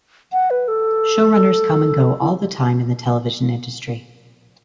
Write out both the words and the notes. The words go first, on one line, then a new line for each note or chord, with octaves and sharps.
Showrunners come and go all the time in the television industry.
F#5
B4
A4
E4